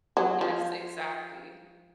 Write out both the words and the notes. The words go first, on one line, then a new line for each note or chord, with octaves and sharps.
Yes, exactly.
F#3
F3